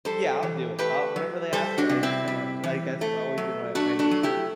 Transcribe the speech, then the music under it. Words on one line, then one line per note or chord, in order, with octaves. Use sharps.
Yeah, I'll do it. I'll whatever they ask, I just kinda I guess, that's always been my my nature,
G3 A4 C5
E3
A3 G4 B4
F#3
G3 A4 C5
D4 F#4
C3
C4 E4
G3
E3
A3
F#3
A3 D4 F#4
D4 F#4
F#3
E4 G4